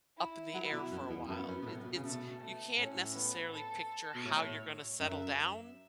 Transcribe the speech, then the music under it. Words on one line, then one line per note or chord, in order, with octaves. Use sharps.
up in the air for a while. It it's, you can't necessarily picture how you're gonna settle down
E4
F#3 E4
B2
F#2
E2
F#2 B3
F#2
B2
A2
B2
C#3
B2 A3
A3
A2 C#4
B3
A4
B2
A2 C#5
F#2 E5